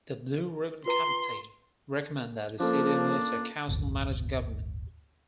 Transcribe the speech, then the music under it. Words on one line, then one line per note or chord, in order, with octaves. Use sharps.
The blue ribbon committee recommend that the city move to a council-manager government.
F4 B4 A#5 C6
F3 A#3 C#4 D4 F4 A4
D1 G1